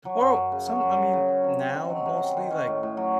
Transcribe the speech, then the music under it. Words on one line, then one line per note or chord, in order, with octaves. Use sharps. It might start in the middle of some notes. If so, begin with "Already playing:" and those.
Oh! Some I mean, now mostly, like,
F#3
F#2
F#2
C#3
F#3
F#2
F#2
C#3
F#3
C3
C4
D#3
F#3
C3
C4
D#3
C#4
A2
A2
F#3